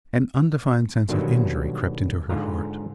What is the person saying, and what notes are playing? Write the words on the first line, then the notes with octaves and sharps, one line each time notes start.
An undefined sense of injury crept into her heart.
B2 D3 D#3 F#3 G3 A#3
G#2 D3 F4 A#5